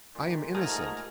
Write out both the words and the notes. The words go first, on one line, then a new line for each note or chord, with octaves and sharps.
"I am innocent."
A#2 D#3 D5
G#2 A3 G#4 A#5 F6